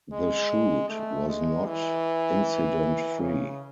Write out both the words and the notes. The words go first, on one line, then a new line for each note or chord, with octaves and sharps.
The shoot was not incident free.
G#3
A3
G#3
E3
C#3